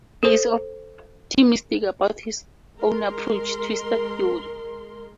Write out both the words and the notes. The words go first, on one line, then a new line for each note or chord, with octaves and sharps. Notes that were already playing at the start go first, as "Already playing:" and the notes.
He is optimistic about his own approach, twistor theory.
A4 C5
G#3 A#4 C6